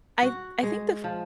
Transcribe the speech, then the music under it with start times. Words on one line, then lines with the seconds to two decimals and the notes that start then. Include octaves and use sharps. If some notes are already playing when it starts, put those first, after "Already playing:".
I I think the f
0.23 F#4
0.63 G#3
1.04 F3